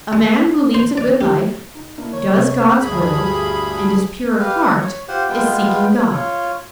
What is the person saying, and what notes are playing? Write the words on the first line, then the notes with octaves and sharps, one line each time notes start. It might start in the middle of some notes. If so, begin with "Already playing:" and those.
A man who leads a good life, does God's will, and is pure of heart, is seeking God.
G#3
C5
D5
G4
D#4
A#3 D4 E4
C#5
C3
D2 G2 G#4 B5
G4 B4 F5
F#5
C#5
F4 G4 C5 F#5
G#3 B3 F4 G5
F4 C#5